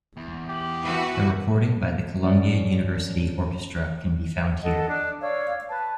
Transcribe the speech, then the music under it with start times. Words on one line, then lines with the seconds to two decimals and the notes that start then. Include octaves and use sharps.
A recording by the Columbia University Orchestra can be found here.
0.17 E2
0.49 G4
0.84 E3 F#4 B4
2.21 F#2 F3 C#4 D5 F#5
4.64 A4 D#5 F#5
4.88 D4
5.20 C#5 D5 F5 E6
5.69 B4 A5